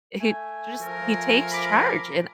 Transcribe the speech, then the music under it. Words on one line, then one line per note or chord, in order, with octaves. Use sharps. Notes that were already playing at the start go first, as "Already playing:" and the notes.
he just he takes charge, and
A3 G#5
F3 A#4
B5 D6